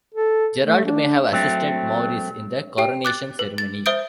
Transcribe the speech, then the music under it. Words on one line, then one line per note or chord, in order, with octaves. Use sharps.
Gerard may have assisted Maurice in the coronation ceremony.
A4
A3
D4
F#3 A3 C4
G4 G5
D6 F#6 A6
B4
A6
C5 E5 D#6 G6 D7